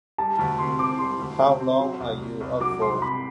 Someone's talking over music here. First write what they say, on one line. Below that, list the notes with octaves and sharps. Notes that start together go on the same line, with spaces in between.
How long are you up for?
G3 A5
D2 A5
C3 C6
C4 D6
G3 C6
D2
C3
C4
F#3
C2
C3
C2
F#3 D6
C2 C6
C3 B5